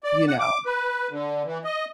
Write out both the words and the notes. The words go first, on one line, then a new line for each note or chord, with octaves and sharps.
you know
D5
F#5
D6
B4
D3
E3
D#5